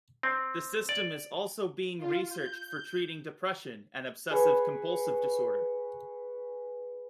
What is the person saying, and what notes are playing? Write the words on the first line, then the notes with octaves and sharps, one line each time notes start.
The system is also being researched for treating depression and obsessive-compulsive disorder.
C4
D5
F4
G6
G#4 B4 C#5